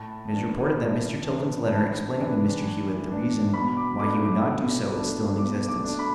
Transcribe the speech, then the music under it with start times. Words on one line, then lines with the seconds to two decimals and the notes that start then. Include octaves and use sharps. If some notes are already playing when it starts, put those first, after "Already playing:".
It is reported that Mr. Tilden's letter explaining to Mr. Hewitt the reason why he would not do so is still in existence.
Already playing: A2 A5
0.32 E3 D4
0.78 A2
1.24 E3 D4
1.70 A2 A5
2.16 D4
2.21 E3
2.62 A2
3.08 E3 D4
3.54 B2 B5
3.77 D6
4.00 A3 D4 D6
4.46 B2
4.93 A3 D4
5.38 B2 D6
5.69 D6
5.83 A3 D4
5.99 B5